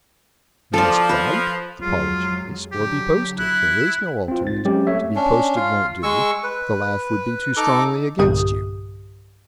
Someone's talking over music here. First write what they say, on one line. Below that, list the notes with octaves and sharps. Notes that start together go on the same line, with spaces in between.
"You must fight, apologize, or be posted; there is no alternative. To be posted won't do; the laugh would be too strongly against you."
F3 A4 D5
B4
F2 F#3 G#3 F4
D3 F#3 G4
E4 F#6
C4 F4
G#2 A6
F#3 G#3 C4 C#4 G4
A3 C#5 E5
C#4 D4
F4 F5
G#3 C#6 E6
B4
D#4 A4 A#5 D6
B1 G2 A#2 D3 G4 D#6